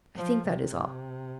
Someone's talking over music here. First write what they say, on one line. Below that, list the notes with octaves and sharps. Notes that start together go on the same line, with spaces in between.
I think that is all.
F3
C3